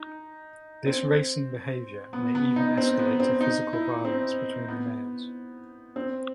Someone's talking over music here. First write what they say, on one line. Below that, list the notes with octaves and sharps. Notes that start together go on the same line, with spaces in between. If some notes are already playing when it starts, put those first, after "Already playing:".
This racing behavior may even escalate to physical violence between the males.
Already playing: D#4
C4
B3
B3
D#4
C4
B3
C4
D#4
E4
C4
B3
C4